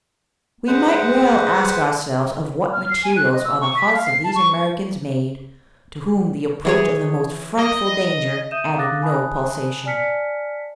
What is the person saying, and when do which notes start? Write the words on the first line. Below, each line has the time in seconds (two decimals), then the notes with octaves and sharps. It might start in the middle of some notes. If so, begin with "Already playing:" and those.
We might well ask ourselves of what materials are the hearts of these Americans made, to whom the approach of the most frightful danger added no pulsation.
0.67 G#3 B4 C5 F#5
2.73 F6
2.90 C7
3.03 G#5
3.16 F#6
3.33 D#5
3.44 E6
3.61 C#6
3.76 B6
3.93 F5
4.06 C7
4.24 A5
4.35 C#6
6.65 E3 G#4 C#5
7.59 D#5
8.51 E5 D#6 G6 D#7 E7
8.77 F5 D6 D#6 F#6 A6 A#6
9.02 G#5 A5 B5 D#6 F#6
9.85 D5 G#5 A5 F6 B6 C#7